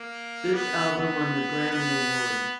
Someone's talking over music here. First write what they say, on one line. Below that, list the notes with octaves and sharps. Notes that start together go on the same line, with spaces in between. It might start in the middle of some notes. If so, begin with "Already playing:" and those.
This album won the Grammy Award.
Already playing: A#3
B3
B3
B3